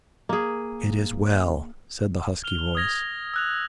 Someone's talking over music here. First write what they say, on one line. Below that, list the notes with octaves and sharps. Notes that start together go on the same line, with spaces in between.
"It is well!" said the husky voice.
A#3 G#4
F6 F7 G7
D#6 F6 G#6 A#6 F7
E6 F#6 F7